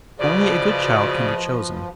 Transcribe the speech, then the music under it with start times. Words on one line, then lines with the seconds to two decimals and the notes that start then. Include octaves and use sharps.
Only a good child can be chosen.
0.19 C#3 F3 F#4 B4 D5 D#5